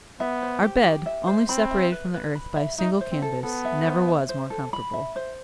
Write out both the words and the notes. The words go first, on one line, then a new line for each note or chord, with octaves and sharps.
Our bed, only separated from the earth by a single canvas, never was more comfortable.
B3 E5
C5
G4
G4
E5
C5
C4 B5
E5
B4
B4
B5
E5
D#4 E5
C5
C4
A4
B3 A4
E5
C5
E5
C5
A4
B5
E5
C5